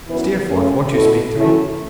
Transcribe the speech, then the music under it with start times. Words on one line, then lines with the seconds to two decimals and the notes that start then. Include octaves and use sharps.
'Steerforth! won't you speak to me?'
0.08 F#2 E3 B3 E4 B4
0.50 C#3 A3 C#4
0.94 B2 A3 E4 A4
1.35 F#3 A3 C#4 E4